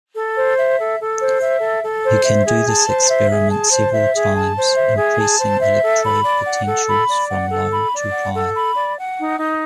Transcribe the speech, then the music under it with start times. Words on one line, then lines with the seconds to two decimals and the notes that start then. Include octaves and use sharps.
You can do this experiment several times increasing electrode potentials from low to high.
0.14 A4
0.36 C5
0.56 E5
0.78 A4
0.99 A4
1.19 C5
1.40 E5
1.61 A4
1.83 A4
2.03 C5
2.24 E5
2.45 G#4
2.66 A5
2.88 C5
3.08 E5
3.30 G#4
3.50 A5
3.71 C5
3.93 E5
4.13 G#4
4.35 A5
4.55 C5
4.76 E5
4.97 G#4
5.18 A5
5.39 C5
5.61 E5
5.82 A4
6.03 B5
6.23 D5
6.45 F#5
6.65 A4
6.87 B5
7.08 D5
7.29 F#5
7.50 A4
7.70 B5
7.92 D5
8.12 F#5
8.34 A4
8.54 B5
8.75 D5
8.97 F#5
9.18 D#4
9.39 D#4